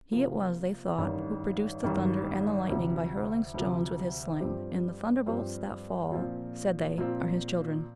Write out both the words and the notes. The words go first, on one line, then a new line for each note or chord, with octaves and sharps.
He it was, they thought, who produced the thunder and the lightning by hurling stones with his sling; and the thunderbolts that fall, said they, are his children.
C3 F3 A#3 F4
A1 G2 D#3 G3
A1 G2 D#3 G3
D2 C3 F3
D2 C3 F3
G2 F3 C4 G4 C5
G2 F3 C4 G4 C5
A#2 F3 C4 F4
A#2 F3 C4 F4